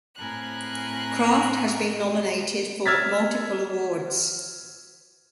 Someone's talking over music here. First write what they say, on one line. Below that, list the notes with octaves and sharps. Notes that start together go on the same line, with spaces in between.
Craft has been nominated for multiple awards.
A2 C4 A#4 G#5 B5 F#6
E6 F6 G#6 A6 B6